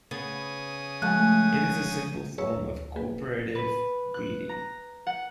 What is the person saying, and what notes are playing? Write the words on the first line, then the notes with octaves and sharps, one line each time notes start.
It is a simple form of co-operative breeding.
C#3 B3 G#4 D#6 D#7
F3 G#3 A3 G#5 F#6 G6
G#4 B4 C#5 A#5 C#6 E6
D2
D#2
A#3 G4 G#4 B4
B4
F#6
A#5
F#5